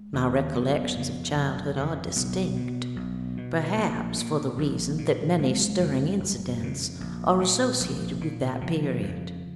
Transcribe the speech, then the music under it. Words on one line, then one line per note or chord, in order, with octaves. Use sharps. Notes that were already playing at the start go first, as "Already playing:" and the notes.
My recollections of childhood are distinct, perhaps for the reason that many stirring incidents are associated with that period.
Already playing: G#3
D#2 C#3
F#1 B3
F2 C#3
F#1
F2 C#3
B1 B3
B2
B1
B2
A#1 A#3
A#2
A#1
A#2
F#1 G#3
F2 C#3
F#1
F2 C#3
A#1
A#2
A#1
A#2
F1 F3
F2 C#3